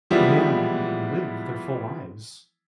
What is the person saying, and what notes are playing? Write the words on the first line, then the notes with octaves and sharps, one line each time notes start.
Yeah, and and live their full lives.
E3 F3 G3 G#3 B3 E4